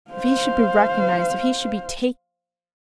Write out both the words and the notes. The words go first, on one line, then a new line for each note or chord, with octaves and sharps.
If he should be recognised! If he should be taken!
C5 F5